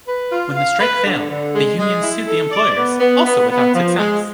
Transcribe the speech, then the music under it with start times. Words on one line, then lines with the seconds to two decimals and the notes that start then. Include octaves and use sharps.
When the strike failed, the union sued the employers, also without success.
0.07 B4
0.31 F4
0.56 F5
0.81 B4
1.05 D3
1.29 D3
1.54 G#3
1.78 G#3
2.03 E4
2.28 A4
2.52 D5
2.76 B3
3.00 B3
3.25 B3
3.49 B3
3.74 F3
3.98 G#3